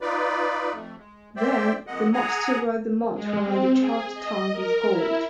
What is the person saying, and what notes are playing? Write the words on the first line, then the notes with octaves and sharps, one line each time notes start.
Then, the master writes the mantra on the child's tongue with gold.
D#4 F4 B4 D5
F2 A3
G#3
C5 D5 E5 G5
F2 G#3 A#3 D#5 F#5
G#4 F#5 G#5 A#5
G#3
C4
G#4
D#5
A#4
E4